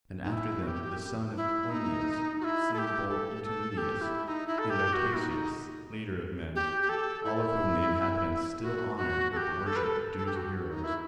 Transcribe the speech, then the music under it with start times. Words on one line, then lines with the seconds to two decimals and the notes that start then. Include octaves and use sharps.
And after them the son of Oeneus slew bold Itomeneus, and Artaceus, leader of men; all of whom the inhabitants still honour with the worship due to heroes.
0.23 D#4
0.32 E4
0.62 F#4
0.67 G4
1.37 E4
1.70 D#4
2.40 F#4
2.44 E4
2.74 A4
2.78 G4
3.09 A4
3.44 A4
3.78 G4
4.01 E4
4.24 E4
4.28 D#4
4.47 E4
4.59 A4
4.70 G4
4.93 F#4
5.17 D#4
6.55 G4
6.81 G4
6.89 A4
7.24 E4
8.62 F#4
8.97 F#4
9.32 A4
9.37 G4
9.67 A4
9.76 B4
9.84 A4
10.18 A4
10.26 G4
10.36 F#4
10.70 D#4
10.84 E4